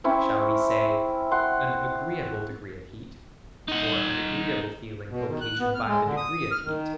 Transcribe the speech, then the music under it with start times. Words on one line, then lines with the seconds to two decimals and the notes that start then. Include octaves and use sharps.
Shall we say an 'agreeable degree of heat,' or an 'agreeable feeling' occasioned by the degree of heat?
0.04 C4 C#4 E4
1.31 F#5 C6
3.69 D#4 F#5
5.11 B2
5.29 D#3
5.41 F#6
5.60 B3
5.75 F6
5.87 G#3
6.05 D3
6.17 D#6
6.51 F6
6.66 D#3